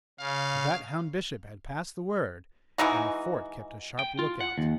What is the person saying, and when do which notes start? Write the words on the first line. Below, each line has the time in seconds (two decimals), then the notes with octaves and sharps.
But that hound Bishop had passed the word, and the fort kept a sharp lookout.
0.19 C#3 F5
2.78 E3 G#3 D#4 F#4
3.99 G5
4.19 F4
4.41 F#5
4.58 D#2